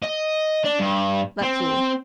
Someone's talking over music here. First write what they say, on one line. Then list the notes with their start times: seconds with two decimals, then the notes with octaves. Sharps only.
That's all.'
0.02 D#5
0.64 D4
0.80 G2
1.42 C4